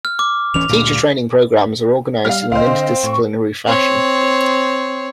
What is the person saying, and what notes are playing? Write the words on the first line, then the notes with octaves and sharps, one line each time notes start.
The teacher training programmes are organized in an interdisciplinary fashion.
F6
D6
D1 E3 C#4 F7
D2 G2 A#2
G3 F5 F6
C#2 C4 C5 D#5 F5
D3
A2 C#6
C4 C#5